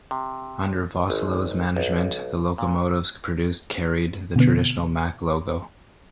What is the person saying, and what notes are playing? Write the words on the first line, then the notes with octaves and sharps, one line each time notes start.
Under Vosslohs management the locomotives produced carried the traditional MaK logo.
C3
G#1
B1
A#2
B2 D3 B3